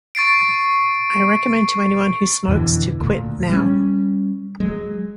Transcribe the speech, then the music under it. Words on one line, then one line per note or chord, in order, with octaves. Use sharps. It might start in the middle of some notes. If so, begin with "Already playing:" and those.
I recommend to anyone who smokes to quit now.
C#6 A6 C7 D7
F2 B2 D3 E3
D2 A#2
G3 A3 C#4
F#3 G#3